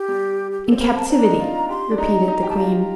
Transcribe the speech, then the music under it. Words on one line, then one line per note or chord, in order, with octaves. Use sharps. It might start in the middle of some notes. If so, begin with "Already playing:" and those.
"In captivity," repeated the queen.
Already playing: G4
G3
G4
A4
C4 C5
A#3 A#4
A5
C4 A#5
D4
D#4
F4
G4 C6
D4
D#4 A#5
D#4
G4
A5
F4 A#5